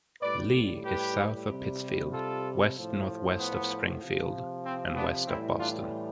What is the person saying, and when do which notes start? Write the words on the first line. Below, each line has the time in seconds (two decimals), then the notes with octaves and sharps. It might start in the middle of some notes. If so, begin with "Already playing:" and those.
Lee is south of Pittsfield, west-northwest of Springfield, and west of Boston.
0.22 A2 G3 B4 D5
0.85 G4 B4
1.49 C3 G3
2.11 F4 A4
2.75 A2 F3
3.38 B3
4.01 C3 F3
4.65 C4
4.96 B3 D4
5.28 A2 E3 G3 C4 E4
5.59 D4 F4